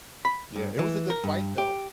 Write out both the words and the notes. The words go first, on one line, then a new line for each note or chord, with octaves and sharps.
Yeah, it was a good fight, though,
B5
G2
E3
A#4
G2
G4